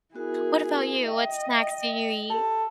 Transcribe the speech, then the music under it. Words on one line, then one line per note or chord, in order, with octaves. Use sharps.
what about you, what snacks do you eat?
B3 E4 F#4 G#4 A#4
D#5 E5 G5
G4 A4